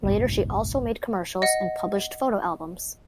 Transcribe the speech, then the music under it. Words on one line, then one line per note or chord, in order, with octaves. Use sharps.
Later she also made commercials and published photo albums.
F#1 B1 G#2
D#5 F#5